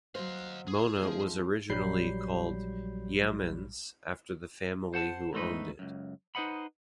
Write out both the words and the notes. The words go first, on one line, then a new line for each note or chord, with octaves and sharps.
Mona was originally called Yeamans after the family who owned it.
F#3 C5 D#5 F5
G#4
F3 G#3 C4
A#1 F#3 G3 B5 G6 C7
C5 F#5 A5
E2 G#2 A3 D#4 B4
C#2 F#2
D#4 B4 C5 D#5 F#5 B5